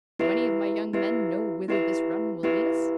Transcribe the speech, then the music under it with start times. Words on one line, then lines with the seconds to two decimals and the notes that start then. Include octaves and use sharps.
"Do any of my young men know whither this run will lead us?"
0.19 B3 E4 G4 B4 E5
0.93 B3 E4 G4 B4 E5
1.68 B3 E4 G4 B4 E5
2.43 B3 E4 G4 B4 E5